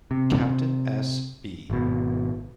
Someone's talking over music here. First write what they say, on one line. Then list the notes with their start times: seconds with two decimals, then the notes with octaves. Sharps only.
Captain S. B.
0.11 C3
1.70 G#1 B2